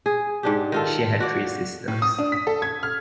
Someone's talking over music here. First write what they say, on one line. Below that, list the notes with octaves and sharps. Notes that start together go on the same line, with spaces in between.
She had three sisters.
G#4
G#2 D4 G4
D#3 F4 A4
F#4 D5
A2
D#6
D4
B6
A4
G#6
F6